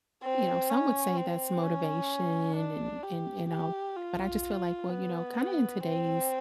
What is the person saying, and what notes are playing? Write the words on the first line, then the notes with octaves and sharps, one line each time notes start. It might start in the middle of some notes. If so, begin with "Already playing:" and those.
you know, some would say that's motivation and and and all, but I just feel like, well, you know, kinda in today's
C4
C#4
C4
C#4
D4
G4
G4
F4
B3
C4